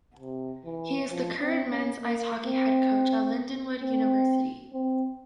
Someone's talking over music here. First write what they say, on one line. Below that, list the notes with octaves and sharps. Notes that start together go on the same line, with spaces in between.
He is the current men's ice hockey head coach at Lindenwood University.
C3
E3
F3
C4
C#4
A#3
C4
C4
C4